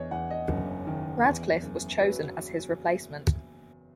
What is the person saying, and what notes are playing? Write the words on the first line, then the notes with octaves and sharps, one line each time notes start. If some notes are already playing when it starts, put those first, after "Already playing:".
Radcliff was chosen as his replacement.
Already playing: E2 C#5 D#5
E2 F#5
D#5
F#1
D#3
E2
F#1
F#3 B4